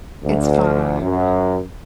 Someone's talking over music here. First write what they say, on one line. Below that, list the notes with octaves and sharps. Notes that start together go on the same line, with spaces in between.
It's fine.
D2
F#2